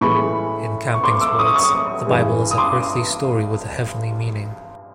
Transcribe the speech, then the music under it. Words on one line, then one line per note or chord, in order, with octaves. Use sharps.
In Camping's words, the Bible is an earthly story with a Heavenly meaning.
A2 E3 G#3 B5 C#6
C#6
C6 D6
D6 E6
C#6 D#6
C#6 D#6
G2 E3 G#3
D#6
C6 D6